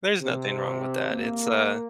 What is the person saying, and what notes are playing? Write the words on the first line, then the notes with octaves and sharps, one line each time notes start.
there's nothing wrong with that. It's, uh,
C3
A#3